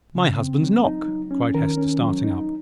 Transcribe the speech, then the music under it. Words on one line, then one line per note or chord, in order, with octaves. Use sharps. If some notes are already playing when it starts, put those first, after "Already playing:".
"My husband's knock!" cried Hester, starting up.
C#3
C4
F#3
D#4
F#3
C#4
D#3 A#4
C#4
F#3
D#4